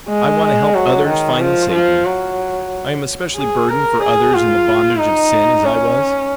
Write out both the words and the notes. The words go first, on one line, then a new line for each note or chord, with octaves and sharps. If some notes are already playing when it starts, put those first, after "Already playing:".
I want to help others find the Savior. I am especially burdened for others in the bondage of sin as I was.
G#3
F#3
D#3
F3
F3
F#3
G#4
A#4
G#4
F4
D#4
C#4